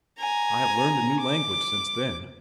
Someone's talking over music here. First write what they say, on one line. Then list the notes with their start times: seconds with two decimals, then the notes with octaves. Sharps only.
I have learned a new language since then.
0.19 G#5 A#5
1.20 D6